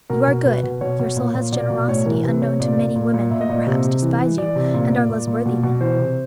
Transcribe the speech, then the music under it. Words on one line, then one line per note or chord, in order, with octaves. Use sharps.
You are good, your soul has generosity unknown to many women who perhaps despise you, and are less worthy than you.
B2 A#4
B2
B2 B4
B2
B2 C#5
B2
A#2
A#2
B2 D5
B2
A2 C#5
E3 A#4
C3 B4
C3 C#5
A#2 D5
A#2
A#2
A#2
A#2 E5
D#5
A#2 D5
D#5
C3
C3
E3
E3
E3 D5
C3
A#2
A#2
A#2
A#2
B2
B2
E3 C5
C3